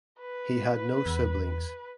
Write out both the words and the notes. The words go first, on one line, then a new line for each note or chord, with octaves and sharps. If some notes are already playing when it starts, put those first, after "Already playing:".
He had no siblings.
B4
E2